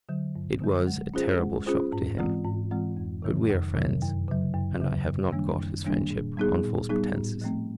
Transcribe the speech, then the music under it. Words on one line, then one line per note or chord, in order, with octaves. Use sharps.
It was a terrible shock to him, but we are friends, and I have not got his friendship on false pretences.
D3 F#3
G2
D3 F#3
G#3
C#4 F4 G#4 C5
G#3
C#4 F4 G#4 C5
G#2
E3 G#3 C4 F4
G#2
E3 G#3 C4 F4
F2
C3 D#3 F#3
F2
C3 D#3 F#3
F#2
C#3 F#3
F#2
C#3 F#3
F#2
D#3 G3 A#3 D4
F#2
D#3 G3 A#3 D4
A#2
G3 B3 D#4 G#4
A#2
G3 B3 D#4 G#4
A2
F3 A3 C4